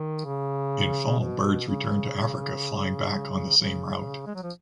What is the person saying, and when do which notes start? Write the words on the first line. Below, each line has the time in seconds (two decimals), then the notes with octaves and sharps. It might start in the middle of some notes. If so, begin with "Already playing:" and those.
In Fall birds return to Africa flying back on the same route.
Already playing: D#3
0.25 C#3
1.20 B2
1.68 C#3
3.57 C#3
4.27 G#3
4.35 F#3
4.43 F3